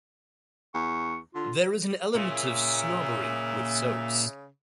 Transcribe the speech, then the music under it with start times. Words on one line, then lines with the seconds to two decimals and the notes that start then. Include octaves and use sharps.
There is an element of snobbery with soaps.
0.75 E2 C#6
1.35 D3 F4
2.15 A#2 C#3 E5